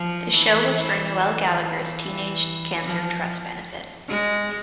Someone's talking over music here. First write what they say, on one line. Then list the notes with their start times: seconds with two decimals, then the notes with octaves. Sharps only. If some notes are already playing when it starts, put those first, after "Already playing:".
The show was for Noel Gallagher's Teenage Cancer Trust benefit.
Already playing: F3
0.33 E3
0.75 E3
1.58 E3
2.84 F3
4.09 G#3